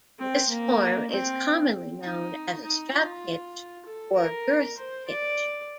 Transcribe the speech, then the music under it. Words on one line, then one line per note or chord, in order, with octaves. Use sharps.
This form is commonly known as a strap hitch or girth hitch.
C4
A#3
C4
D#4
D#4
F4
A4
A#4
C5
D5